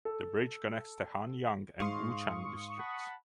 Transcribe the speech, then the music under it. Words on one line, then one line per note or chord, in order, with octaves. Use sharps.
The bridge connects the Hanyang and Wuchang districts.
A4
G#2 F5 C6 C#6 D#6
F#5 A5 B5